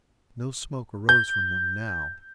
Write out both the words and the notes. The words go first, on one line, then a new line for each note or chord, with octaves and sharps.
No smoke arose from them now.
G6